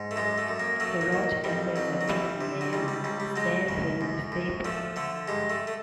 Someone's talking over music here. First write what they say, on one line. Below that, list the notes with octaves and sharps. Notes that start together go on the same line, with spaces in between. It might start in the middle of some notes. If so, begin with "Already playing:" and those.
He wrote under the pen name Stefan Faber.
Already playing: G#2
A3
F#2 G#3
A3
F#2
A#3
F#3 A3
A#3
D#3
F2 G3
F2 F#3
F#3
E3 G3
C3
F#3
C#2 G3
G3
C#2 G3
G3
F#3 G#3
C#3
F#2
F#2
F3 A3
D3 A3
G2 G#3
A3
A3